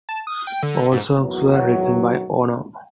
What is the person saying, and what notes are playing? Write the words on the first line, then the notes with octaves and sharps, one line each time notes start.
All songs were written by Ono.
A5
D#6
G5
D3
G#2
B1 E2 A2 D#3 F#3